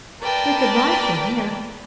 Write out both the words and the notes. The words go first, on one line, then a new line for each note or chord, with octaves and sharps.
"We could ride from here."
A#4 B4 D5 G5 A5